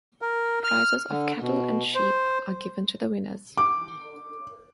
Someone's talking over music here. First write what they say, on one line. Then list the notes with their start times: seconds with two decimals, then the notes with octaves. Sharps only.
Prizes of cattle and sheep are given to the winners.
0.22 A#4
0.64 F6
1.11 D3
1.41 B2
1.95 C5
3.57 D6